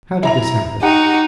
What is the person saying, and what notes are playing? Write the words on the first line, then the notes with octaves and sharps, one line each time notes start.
How did this happen?
E4 A#5 F7
D#4 F#4 G4 F#5